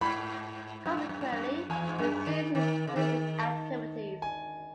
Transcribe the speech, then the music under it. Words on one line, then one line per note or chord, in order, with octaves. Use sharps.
Consequently, he ceased his business activities.
G#2 B5
F#2
G#2
F#2
G#2
F#2
E2 G#5
G#2
F#2
D#3
D#3
C#3
D#3
A5
G#5